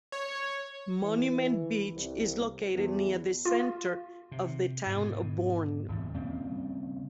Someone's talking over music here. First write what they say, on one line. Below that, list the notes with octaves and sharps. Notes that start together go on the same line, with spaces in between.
Monument Beach is located near the center of the town of Bourne.
C#5
E3
C2
E2
F4
C3
G#2 B2
D#1 G#1 E2
C#3 G3 A#3 C4